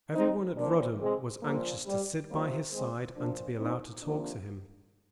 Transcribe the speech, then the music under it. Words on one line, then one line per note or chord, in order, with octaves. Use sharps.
Everyone at Rudham was anxious to sit by his side and to be allowed to talk to him.
C4 D#4
A#2 F3 A#3 D4
G#3 C4
A#2 F3 G3 A#3
G3
C3 F3 G3 A#3
G#3 C4
A#2 F3 A#3 D4
C4 D#4
C3 F3 A#3 D4